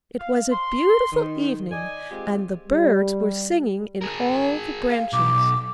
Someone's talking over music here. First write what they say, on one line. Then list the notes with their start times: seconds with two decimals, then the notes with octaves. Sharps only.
It was a beautiful evening, and the birds were singing in all the branches.
0.20 F5
0.52 C6
1.12 D#3
1.72 D5 D#5 G#5
2.10 G#3 C4 F4 G4 G#4
2.68 G3
4.01 G#4 A#4
4.90 F5
5.13 B1 D6